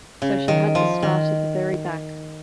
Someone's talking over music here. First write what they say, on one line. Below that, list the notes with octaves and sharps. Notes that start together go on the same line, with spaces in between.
So she had to start at the very back.
C#3
D#3
F3
D#3